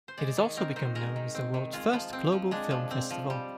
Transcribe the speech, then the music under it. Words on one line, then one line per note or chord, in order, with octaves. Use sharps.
It has also become known as the world's first global film festival.
C5
G#3 D5
D#3
C4 A#4
D#3 C5
G#3 A#4
D#3
C4
D#3
G#3 F4
F3
C4
F3
G#3 D4
F3
C4
F3
G3